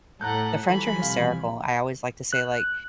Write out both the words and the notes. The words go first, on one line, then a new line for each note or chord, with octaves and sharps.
the French are hysterical. I always like to say, like,
A2 A4 F#5 A#5 F#6 G6
E3 F3 G3 G#5 B5
C3 F5
F#6